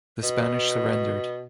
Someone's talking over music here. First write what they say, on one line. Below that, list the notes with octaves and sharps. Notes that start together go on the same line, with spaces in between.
The Spanish surrendered.
B2